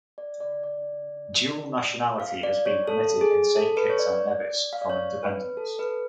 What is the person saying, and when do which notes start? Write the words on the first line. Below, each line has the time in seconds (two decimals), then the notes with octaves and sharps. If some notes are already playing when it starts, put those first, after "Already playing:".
Dual nationality has been permitted in Saint Kitts and Nevis from independence.
0.18 D5
0.40 D5
0.63 D5
2.20 F5
2.43 D5
2.66 C#5
2.87 A4
3.21 G#4
3.56 A4
3.77 B4
3.90 C#5
3.99 D5
4.73 F5
4.82 D5
4.89 C#5
5.23 B4
5.57 A4
5.79 B4